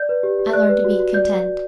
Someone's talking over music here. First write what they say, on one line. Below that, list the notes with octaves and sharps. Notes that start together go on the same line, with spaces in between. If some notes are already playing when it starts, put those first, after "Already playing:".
I learn to be content.
Already playing: D5 G6
B4
G4
G4
D5 F#6
B4
F#4
F#4
D5 G6
B4
F#4